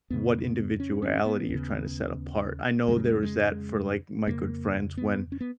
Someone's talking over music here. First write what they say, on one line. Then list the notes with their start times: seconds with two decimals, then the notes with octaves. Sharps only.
what individuality you're trying to set apart. I know there is that for, like, my good friends when
0.10 F2 C#3 B3
0.44 B3
0.80 C#4
1.02 C#4
1.25 B3
1.49 D#2 C#3
2.88 F2 C#3 G#3
2.97 F#3
3.04 G#3
3.23 G#3
4.27 F2 C#3 A#3
4.97 B3
5.32 C#4
5.41 B3